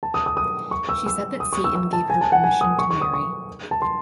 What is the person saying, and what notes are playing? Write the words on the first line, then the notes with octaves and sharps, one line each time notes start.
She said that Satan gave her permission to marry.
A5
D#6
D#6
D#6
C#6
E6
E6
D#6
C#6
E6
E6
A5
G#5
A5
F#5
G#5
D#6
C#6
C#6
D#6
C#6
A5
C6